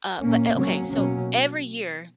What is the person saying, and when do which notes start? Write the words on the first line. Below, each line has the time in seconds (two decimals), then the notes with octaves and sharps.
uh, but o okay, so, every year,
0.19 A#2 A#3 C#4
0.55 C#3 F#3 A#3 C#4
0.90 B2 F#3 A#3 C#4